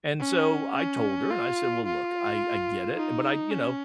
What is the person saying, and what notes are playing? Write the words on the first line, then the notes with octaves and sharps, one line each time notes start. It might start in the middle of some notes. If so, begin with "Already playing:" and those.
and so, I told her, and I said, "Well, look, I I get it," and, but I, you know,
C#4
C#4
F4
F4
D#4
C#4